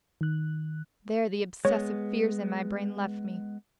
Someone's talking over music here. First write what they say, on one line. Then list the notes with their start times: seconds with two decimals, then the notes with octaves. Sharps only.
There the obsessive fears in my brain left me.
0.21 D#3 F#6
1.65 G#3 B3 C#5